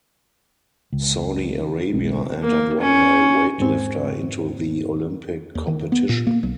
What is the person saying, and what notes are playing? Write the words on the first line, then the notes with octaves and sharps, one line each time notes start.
Saudi Arabia entered one male weightlifter into the Olympic competition.
C#2
B1 G#3 C4
A#3
C#4
E2 G#2 C4
D#2
D#3
B3
A#2
A#3
B1